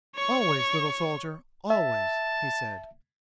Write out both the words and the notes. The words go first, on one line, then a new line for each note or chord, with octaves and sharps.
"Always, little soldier, always," he said.
C#5 C#6
E5 A5